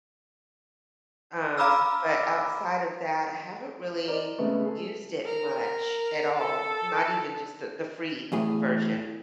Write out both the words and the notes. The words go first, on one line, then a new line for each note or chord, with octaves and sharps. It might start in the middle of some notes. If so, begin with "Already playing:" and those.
Um, but outside of that, I haven't really used it much at all, not even just the the free version.
F5 A#5 B5 D6 E6 F6
A#4 C5 D5 D#5
C#3 G#3 A3 B3
G#4 A4
A#4
A4
E2 A2 G#4